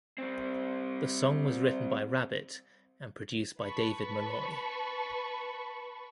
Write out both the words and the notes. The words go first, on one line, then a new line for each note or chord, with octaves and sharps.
The song was written by Rabbitt and produced by David Malloy.
G3 C4
B4 A5 B5 C#6